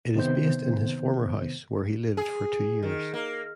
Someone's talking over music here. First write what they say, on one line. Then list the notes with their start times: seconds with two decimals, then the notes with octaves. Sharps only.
It is based in his former house, where he lived for two years.
0.16 C3 D#3 B3 C5 G6
2.17 G#4
2.82 D#3
3.14 A#3